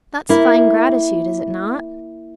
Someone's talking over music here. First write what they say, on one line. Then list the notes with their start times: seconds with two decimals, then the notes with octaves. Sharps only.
That's fine gratitude, is it not?'
0.29 A#3 E4